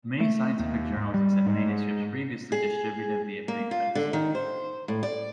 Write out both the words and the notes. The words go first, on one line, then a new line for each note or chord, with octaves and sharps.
Many scientific journals accept manuscripts previously distributed via preprints.
A3
D#2
G#2
G3
G#2
G#4
A#3
F4
D3
D#3
C5
A2
D5